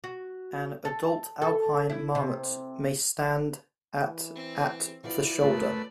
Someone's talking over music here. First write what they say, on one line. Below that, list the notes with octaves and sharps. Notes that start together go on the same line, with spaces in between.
An adult alpine marmot may stand at at the shoulder.
F#4
A4
A4
E4
C3
E3
C4
F3 E4 F#4 B4 D5
F#2 G#3 A3 F4 A#4 B4